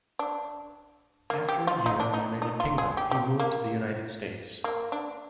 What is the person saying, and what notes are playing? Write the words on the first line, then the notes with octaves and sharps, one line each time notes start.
After a year in the United Kingdom, he moved to the United States.
D4
A#3
G4
F4
D#4
D4
D#4
D#4
F4
G#4
G4
G4
A#3
A#3
D4